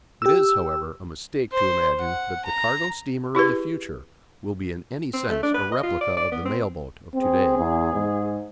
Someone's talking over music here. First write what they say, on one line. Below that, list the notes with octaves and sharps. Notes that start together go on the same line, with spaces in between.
It is, however, a mistake to imagine that the cargo steamer of the future will be in any sense a replica of the mail-boat of to-day.
G4 E6
C5
F#5
A#5
E4 G4 G#4 B4
C4
A3
D4
B4
D#5
F4
D5
D5
B3
C4
C4 G#4
E2
G#2